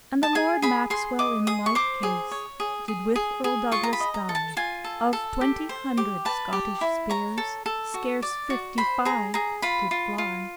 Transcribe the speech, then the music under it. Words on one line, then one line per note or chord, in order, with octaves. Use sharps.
And the Lord Maxwell in like case Did with Erle Douglas dye; Of twenty hundred Scottish speres, Scarce fifty-five did flye.
A5
G#4 G#5
G#4 B5
G#4 C6
D#5 D6
G#4 D#6
C#6
C5 D6
G#4
C#5
G#4
G#4
G#4
G#4
F4 C#6
A#5
B5
D#5
A#5
A4
A5
F4 G#5
A4
A4
G4
C5
G4
B4 A5
G4
E4
C#5 A#5
A4
A4
F#4
D5
F#4
C5 B5
G#4 A#5
G#4 A#5
F4 B5
F4
F4